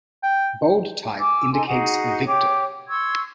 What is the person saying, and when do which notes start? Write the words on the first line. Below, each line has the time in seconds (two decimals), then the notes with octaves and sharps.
Bold type indicates victor.
0.23 G5
1.18 G#5 D6 E6
1.52 D#4 A4 G#5 C6
1.67 D#4 F#4 G#4 F#5
2.25 G4 C#5 G5 D6
2.88 C6 C#6 E6 G#6